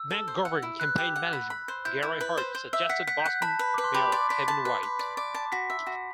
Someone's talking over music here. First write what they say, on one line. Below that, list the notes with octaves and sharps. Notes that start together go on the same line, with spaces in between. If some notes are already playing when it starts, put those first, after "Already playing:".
McGovern campaign manager Gary Hart suggested Boston Mayor Kevin White.
Already playing: E6
A4
C5
F#5
E4
B4 F#6
G4
F#5
B5
B5
C5
E4 G6
E4
B4
C5
C5
E5
F#5 B6
F#5 B6
G6
F#5 F#6
A5 B5
B4
B4 D6
C6
G4 B5
D6
D5 C6
D5 B6
A5
B4
B4
D5
D5
A5
F#4 B6
E5
F#4